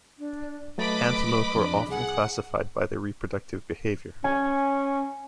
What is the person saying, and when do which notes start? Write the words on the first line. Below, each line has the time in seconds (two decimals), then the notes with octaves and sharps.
Antelope are often classified by their reproductive behavior.
0.19 D4
0.78 F#3 A3 B4 D#5 B5 D6 A6
1.56 F2 D4
1.89 C2 G#4 F#5
4.24 C#4 G#5